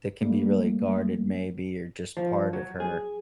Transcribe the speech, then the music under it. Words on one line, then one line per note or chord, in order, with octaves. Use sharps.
that can be really guarded maybe, or just part of her,
G3 A3 A#3
F3
F#3
G#4